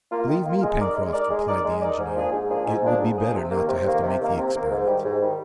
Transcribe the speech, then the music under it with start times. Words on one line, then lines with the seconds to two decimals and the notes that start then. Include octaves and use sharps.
"Believe me, Pencroft," replied the engineer, "it would be better not to have to make the experiment."
0.10 A#3 F4
0.28 D#3
0.44 A#3 F4
0.62 G#3
0.79 D#4 A#4 D5
0.96 G#3
1.13 D#4 A#4 D5
1.30 G#3
1.47 D#4 A#4 D5
1.64 G#3
1.81 D#4 A#4 D5
1.98 G#2
2.15 F3 A#3 D4 G#4
2.32 G#2
2.49 F3 A#3 D4 G#4
2.66 G#2
2.83 F3 A#3 D4 G#4
3.00 G#2
3.17 F3 A#3 D4 G#4
3.34 C3
3.51 D#3 A#3
3.68 C3
3.85 D#3 A#3
4.02 C3
4.20 D#3 A#3
4.36 C3
4.53 D#3 A#3
4.70 G#2
4.87 D#3 G3
5.04 G#2
5.21 D#3 G3